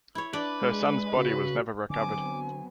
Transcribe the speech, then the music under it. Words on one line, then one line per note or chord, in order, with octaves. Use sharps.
Her son's body was never recovered.
E4 C#5
D4 B4 D5
G#3
C#3 F#4
D3 F#3 B3 C4 G#5 D6